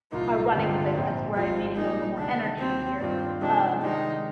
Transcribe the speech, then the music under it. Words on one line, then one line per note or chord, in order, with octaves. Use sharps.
a running playlist where I'm needing a little more energy or, um
C2 A#2 F3 A#3 D#4 F4
G2 D3 G#3 C4 F4 G4
A#1 G#2 F3 C4
G#1 G#2 F3 C4 F4
A#2 F3 A#3 D4 D#4 G#4
D2 C3 D#3 G#3 D4 D#4
D#2 D#3 G3 C4
G2 D#3 G3 C4 D4 F4
C3 F3 G#3 D4 D#4 G4
C3 D#3 G#3 D4 D#4 G4